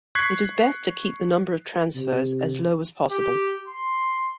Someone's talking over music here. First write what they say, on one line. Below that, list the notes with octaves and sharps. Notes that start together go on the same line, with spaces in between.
It is best to keep the number of transfers as low as possible.
C#6 F#6 G#6 B6 C7
C3
G4
C6